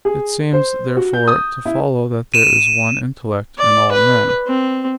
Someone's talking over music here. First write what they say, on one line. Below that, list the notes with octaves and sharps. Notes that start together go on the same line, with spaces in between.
It seems, therefore, to follow that there is one intellect in all men.
G#4
C5
F#4
G6
D#6
E4
D#7 E7
D5
B4
C4